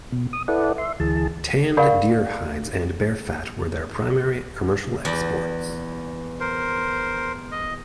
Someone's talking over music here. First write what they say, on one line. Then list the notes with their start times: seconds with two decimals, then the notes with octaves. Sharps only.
Tanned deer hides and bear fat were their primary commercial exports.
0.12 B2
0.33 D#6
0.48 E4 A4 B4 D5 F#5
0.78 E5 C6
1.00 D2 E3 G#4 A5
1.77 A#4 D5 F5 F#5 B5 C#6
5.05 E2 D5
6.40 A#4 C5
7.52 D#5